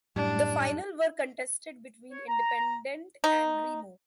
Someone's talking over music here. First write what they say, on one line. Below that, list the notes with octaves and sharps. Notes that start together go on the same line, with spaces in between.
The final were contested between Independente and Remo.
F#2 A2 G3 D4
C#5
A#5
D#4